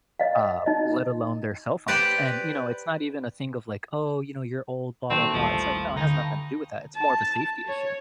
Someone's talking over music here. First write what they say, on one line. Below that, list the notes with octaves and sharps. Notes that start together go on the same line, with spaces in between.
uh, let alone their cell phones. And, you know, it's not even a thing of, like, "Oh," you know, "You're old, blah blah blah," it's like, no, it has nothing to do with that, it's more of a safety issue,
D#5 F5
D#4 D#5
G4 B4 C5 D5 F#5
A#2 D#3 F#3 A3 C4
A1 D#2 F3 G3 B4 D#5 F5
D3 D#4 B4 G5
A5
C#5